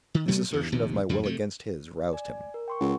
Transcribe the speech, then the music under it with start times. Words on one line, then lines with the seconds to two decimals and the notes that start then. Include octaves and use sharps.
This assertion of my will against his roused him.
0.14 D#3
0.28 B2 F#3 A3 B3
0.51 E2 G2
0.72 A#1 D#2 C3
1.09 F2 D3 G3
1.23 C3 A3
2.13 D5 G#5
2.54 A#4
2.68 G5 C6 C#6
2.80 C#2 F#5